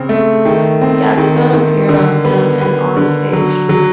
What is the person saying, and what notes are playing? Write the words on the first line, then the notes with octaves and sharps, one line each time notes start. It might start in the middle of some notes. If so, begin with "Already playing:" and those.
Gaxton appeared on film and onstage.
Already playing: C#3 C4
A3
D#3
C4
D#3
D#3
D3
B3
B3
D3
F#3
F#3